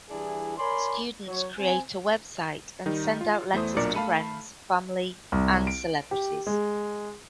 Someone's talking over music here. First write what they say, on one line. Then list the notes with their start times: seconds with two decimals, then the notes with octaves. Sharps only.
Students created a website and sent out letters to friends, family and celebrities.
0.10 E3 G3 D4 E4 G#4
0.58 A#4 C#5 D5 G#5 B5 C6
1.28 F#3 C#5
1.58 C4 G#5
2.86 D#3 G3 D#4
3.21 F4
3.53 E2 A3 E4 C5 D#6
3.76 B1 A#2 D4 A#4 D5 C#7
3.95 A3 F5 A5 B5 D#7
5.32 C2
5.67 D7
6.11 G4
6.47 G#3